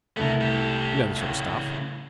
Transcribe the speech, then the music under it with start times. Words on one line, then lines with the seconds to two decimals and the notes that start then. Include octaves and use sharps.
You know the sort of stuff.
0.17 C2 A3 B3 A#4
0.41 G4 A4
1.17 A2 C#3